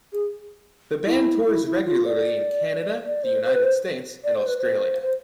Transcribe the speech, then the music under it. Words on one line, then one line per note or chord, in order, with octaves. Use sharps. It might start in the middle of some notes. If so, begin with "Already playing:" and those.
The band tours regularly in Canada, the United States and Australia.
G#4
E4
E4
E4
F4
D5
D5
C5
C5
B4
C5
D5
C5
B4
C5
C5